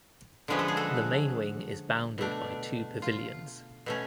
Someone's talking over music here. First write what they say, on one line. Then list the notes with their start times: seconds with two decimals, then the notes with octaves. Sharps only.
The main wing is bounded by two pavilions.
0.48 D3 F3 G#3 C#4 B4
0.59 A4
0.68 G#4
0.77 F#4 A4
2.18 B2 A3 D4
3.02 F4
3.86 B2 A3 C#4